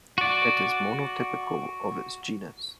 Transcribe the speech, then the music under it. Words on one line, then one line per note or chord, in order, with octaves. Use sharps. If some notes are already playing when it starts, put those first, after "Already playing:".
It is monotypical of its genus.
F#4 D5